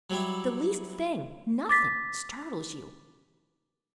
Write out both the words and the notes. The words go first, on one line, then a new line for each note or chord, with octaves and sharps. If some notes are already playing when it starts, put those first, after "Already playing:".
The least thing--nothing--startles you!
F#3 G3 E4
D6 A6 B6